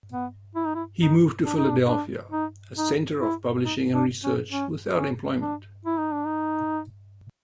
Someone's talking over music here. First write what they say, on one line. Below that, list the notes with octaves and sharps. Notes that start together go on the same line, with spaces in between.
He moved to Philadelphia, a center of publishing and research, without employment.
B3
E4
D#4
E4
D#4
D4
D#4
D4
D4
D#4
D#4
E4
D#4
D4
C#4
C#4
C#4
D4
E4
D#4
D4
D#4